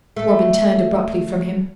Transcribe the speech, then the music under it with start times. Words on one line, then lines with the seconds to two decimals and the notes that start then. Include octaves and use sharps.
Robin turned abruptly from him.
0.16 A3 A4